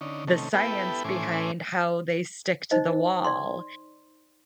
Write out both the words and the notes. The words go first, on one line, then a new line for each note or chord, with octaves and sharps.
the science behind how they stick to the wall
D3 C#4 D#4
C3 D#3 A3 C#4
B3 E4 G4 A4 B4 G5
A2 E3 C#4 C5 G#5 D6
D#4 C5 D#5
D5 C6